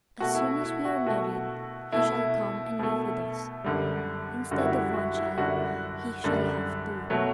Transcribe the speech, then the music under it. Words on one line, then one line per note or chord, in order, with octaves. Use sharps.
As soon as we are married, he shall come and live with us, instead of one child, he shall have two.
B2 A3 F#4
E4
F#4
E4
F#4
B2 A3 F#4
B2 A3 E4
B2 A3
F#2 D3 G3
F#2 D3 G3 F#4
E4
F#4
E4 G4
F#4
E4
F#2 D3 G3 F#4
F#2 D3 G3
B2 F#3 A3